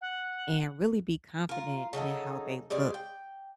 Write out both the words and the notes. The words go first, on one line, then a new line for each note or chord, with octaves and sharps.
and really be confident in how they look.
F#5
F4 A#4
C#3 F#3 D#4 A4
G3 G#3 C#5 D5
G5